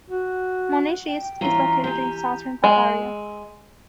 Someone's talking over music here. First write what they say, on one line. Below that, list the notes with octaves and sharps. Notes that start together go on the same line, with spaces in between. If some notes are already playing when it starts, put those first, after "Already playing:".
Munich East is located in southern Bavaria.
F#4
G5
E3 C#4 F4 A#5
G4 G#5 A#5
G#3